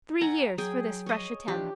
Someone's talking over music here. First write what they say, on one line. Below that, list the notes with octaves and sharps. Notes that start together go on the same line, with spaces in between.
Three years for this fresh attempt.
A4 F#5 G#5 A#5
F#3 G#4 G5
C#5 D#5
E3 F3 D4 G4